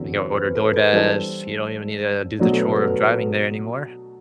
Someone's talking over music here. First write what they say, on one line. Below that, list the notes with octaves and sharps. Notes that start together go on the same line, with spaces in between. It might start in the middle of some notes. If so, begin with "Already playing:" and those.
We can order DoorDash, you don't even need to do the chore of driving there anymore,
Already playing: E2 D3 F#3 C4
C5
B4
A4
B4
E3 G3 D4 A4 C5
B2 F#3 A3 D4 C5
A4
B4
A4
B4
A4